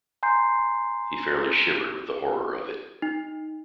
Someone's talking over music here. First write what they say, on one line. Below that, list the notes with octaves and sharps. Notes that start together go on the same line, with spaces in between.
He fairly shivered with the horror of it.
G#5 A#5 C6 G6 C7
D#4